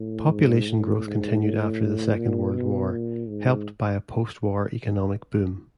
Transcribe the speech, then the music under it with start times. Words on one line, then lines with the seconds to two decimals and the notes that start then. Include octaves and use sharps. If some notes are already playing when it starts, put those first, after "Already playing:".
Population growth continued after the Second World War, helped by a post-war economic boom.
Already playing: A2
0.32 G#2
0.68 A2
1.06 G#2
1.42 A2
2.17 A#2
2.54 B2
2.91 A#2
3.29 G#2